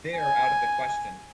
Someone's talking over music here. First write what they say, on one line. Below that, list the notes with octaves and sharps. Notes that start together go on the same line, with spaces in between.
They're out of the question.
G#5